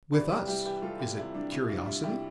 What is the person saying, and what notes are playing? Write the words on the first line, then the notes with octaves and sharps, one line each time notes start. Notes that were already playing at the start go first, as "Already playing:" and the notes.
With us is it curiosity?
C2 B4 D5
C2 G4 B4
G3 E4 G4
E3 E4 G4
G3 F4 A4
E3 E4 G4
C3 E4
G3 D4
C2 E4
C2 D4 F4
G3 E4
C2 E4 G4